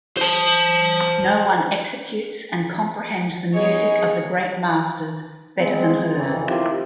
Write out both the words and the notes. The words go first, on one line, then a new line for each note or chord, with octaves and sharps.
No one executes and comprehends the music of the great masters better than her.
C5 A5
B3 D#4 G#4 C#5 D#5
G#3 B3 C4
F2 D#3 E3
D#3 F3 C4 E4 F4 G4